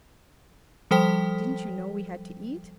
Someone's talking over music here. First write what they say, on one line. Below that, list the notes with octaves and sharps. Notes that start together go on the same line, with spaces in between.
Didn't you know we had to eat?
F3 G3 A4 C5 G5 B6